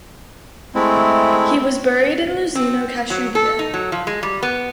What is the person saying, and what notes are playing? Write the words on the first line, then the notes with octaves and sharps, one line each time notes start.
He was buried in Luzino - Kashubia.
G#3 A3 C4 E4
C4
F#3
A4
D#4
F#3
F3
G#3
G3
B3